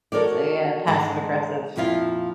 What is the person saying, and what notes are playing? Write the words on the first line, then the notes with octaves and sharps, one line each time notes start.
It's a, uh, passive aggressive
F#4 A4 A#4 C#5 D5
G#2 G#3 F#5 A5
F2 A#2 F3 E4 F4